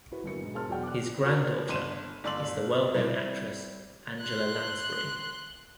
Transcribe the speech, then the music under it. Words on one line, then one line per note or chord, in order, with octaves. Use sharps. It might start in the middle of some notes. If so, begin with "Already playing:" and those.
His granddaughter is the well-known actress Angela Lansbury.
E4 F#4 B4
G1 E3 F#3 A#3 C#7
G#2 B2
G#4 A#4 C5 A5 C6 F6
E1 B2 F#3 D5 F#5 G5
D6 F#6
F#4 A#4
G1 C6 D#7 E7
G1 D5 C6 E6 F#7
G3 C4 E4
C6 F#6